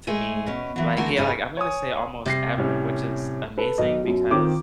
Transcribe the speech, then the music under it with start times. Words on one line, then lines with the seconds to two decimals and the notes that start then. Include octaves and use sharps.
to me, like, yeah, like, I'm gonna say almost ever, which is amazing because
0.07 G#3 A3 G#4
0.46 B2 C#4
0.76 E3 F#3
0.97 D3 A3 C4 F#4 G#4 A#4
1.17 G2 G3 C#4 D#4 G#4
1.57 C#5 G#5 D#6
2.26 C3 G3 A#6 C7
2.57 A2 G3 C#4
3.58 A4 B4
3.78 B1 D#5
4.04 F#2 B2
4.31 D#3 C4 F4 D6